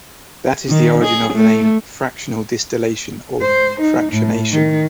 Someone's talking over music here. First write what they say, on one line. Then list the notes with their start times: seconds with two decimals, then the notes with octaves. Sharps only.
That is the origin of the name "fractional distillation" or "fractionation".
0.70 D#3
1.04 G#4
1.34 A3
3.42 C5
3.80 D#4
4.12 A2
4.52 D#3